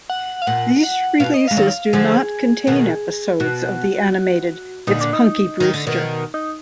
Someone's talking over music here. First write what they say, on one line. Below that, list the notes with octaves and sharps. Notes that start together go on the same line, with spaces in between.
These releases do not contain episodes of the animated "It's Punky Brewster".
F#5
F5
A#2 F#5
F#5
B2 F5
D#5
G#3 F5
D#3 F#3
D3 F3 G#4
B2 D#3
B2 F#4
A#2 D3 D#4
D4
D#4
D#3
D3
B2 D#3
D#4